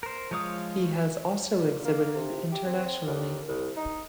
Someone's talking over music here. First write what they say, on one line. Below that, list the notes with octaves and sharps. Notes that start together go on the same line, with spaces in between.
He has also exhibited internationally.
A#4 C5
F3 G#3 C#5 F5 D#6
A#2
A#3
C3
G4
C4
D#2
C2
D#4